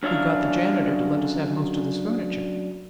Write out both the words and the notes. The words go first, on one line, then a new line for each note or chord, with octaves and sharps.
Who got the janitor to let us have most of this furniture?
F#2 C#4 D4 E5 F5